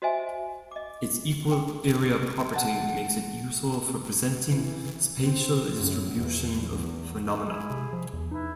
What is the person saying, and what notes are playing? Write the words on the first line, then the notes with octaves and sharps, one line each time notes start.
Its equal-area property makes it useful for presenting spatial distribution of phenomena.
F#4 C5 D#5 E5 G#5
D#5 D6
B4 G5
F#5 A5
E3
C4
F#2
E2
E2
E4 G#4
C3
F3
E2
D#4 E4 B4